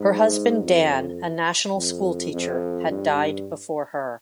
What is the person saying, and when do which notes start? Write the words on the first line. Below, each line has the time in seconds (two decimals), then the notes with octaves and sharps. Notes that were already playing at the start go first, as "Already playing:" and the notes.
Her husband Dan, a national school teacher, had died before her.
Already playing: G#2
0.63 F2
1.76 F2
2.33 F2
2.89 G2